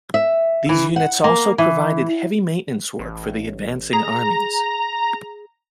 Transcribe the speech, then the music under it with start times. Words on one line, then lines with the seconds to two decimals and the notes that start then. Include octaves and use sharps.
These units also provided heavy maintenance work for the advancing armies.
0.14 E5
0.69 E3
0.96 F#5
1.24 A#3
1.58 E3
2.99 A1
3.93 G#4 A#5